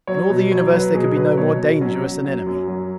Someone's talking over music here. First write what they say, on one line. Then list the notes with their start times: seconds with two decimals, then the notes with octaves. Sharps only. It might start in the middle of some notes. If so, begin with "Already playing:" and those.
In all the universe there could be no more dangerous an enemy.
0.07 F#3 C#5
0.30 B2
0.51 F#3 C#5
0.72 F#3 B4
0.95 B2 G#4
1.16 F#3 B4
1.37 B2 C#5
1.59 B2
1.81 F#3 C#4
2.04 F#3
2.24 F#3
2.46 F#2
2.68 F#3